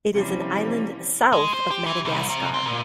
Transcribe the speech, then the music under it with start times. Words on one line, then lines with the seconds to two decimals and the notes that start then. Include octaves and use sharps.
It is an island south of Madagascar.
0.12 C3 E3 F3 G3 A#3 C#4
1.32 G#3
1.54 C5
1.71 G4
1.86 E3
2.05 C2
2.29 C3
2.54 C4
2.65 A#2